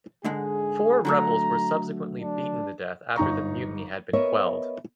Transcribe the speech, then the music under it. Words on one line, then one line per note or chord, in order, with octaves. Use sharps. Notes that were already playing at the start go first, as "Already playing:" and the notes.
Four rebels were subsequently beaten to death after the mutiny had been quelled.
G#2 D3 G#3 G#4
D3 F#3 A3 A#5
D4
G1 D#4 A#5 C#6
B3 A#4 C#5 D#5 E5